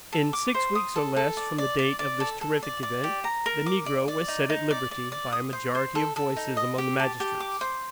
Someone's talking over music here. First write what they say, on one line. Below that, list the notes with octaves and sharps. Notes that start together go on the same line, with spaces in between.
In six weeks or less from the date of this terrific event, the negro was set at liberty by a majority of voices among the magistrates.
A4
D6
C5
D#6
A4
A4
D5
D5
D5
D5
A4
A4
D5
D5
G4
A#5
A#4
D6
D5
D5
D#4
D#4
D5
D5
D5
D#6
C5
C5
A4
A4
D#4
D#5
G4
A5
G4
D6
C5